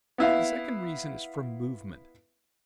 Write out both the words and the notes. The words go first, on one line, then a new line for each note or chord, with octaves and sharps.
The second reason is from movement.
B3 E4 F5